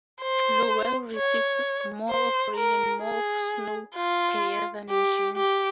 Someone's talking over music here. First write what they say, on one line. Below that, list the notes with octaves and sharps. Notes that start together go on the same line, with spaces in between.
Lowell receives more of rain and more of snow per year than Eugene.
C5
C#5
C5
A#4
G#4
F4
G4
G4